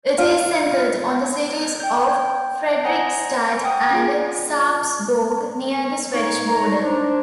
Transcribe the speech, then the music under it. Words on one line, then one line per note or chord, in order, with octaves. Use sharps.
It is centered on the cities of Fredrikstad and Sarpsborg near the Swedish border.
F4
G5 G6
C5 F#5 G#5 A#5 D#6 A#6
F#5 G5 D#6
C#4 F4 G#4
D#4 C#5
A#5
D4 C5